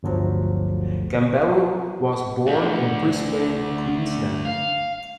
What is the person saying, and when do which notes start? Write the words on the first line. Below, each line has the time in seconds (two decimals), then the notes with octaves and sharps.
Gambaro was born in Brisbane, Queensland.
0.03 G1 D2 F3 F#3
2.47 D2
4.45 F5